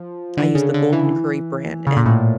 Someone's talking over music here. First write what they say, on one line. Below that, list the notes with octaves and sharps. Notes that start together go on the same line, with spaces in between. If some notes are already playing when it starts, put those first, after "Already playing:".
I use the Golden Curry brand, and
Already playing: F3
D3
C#3
D3
E3
C#3
A#2
A2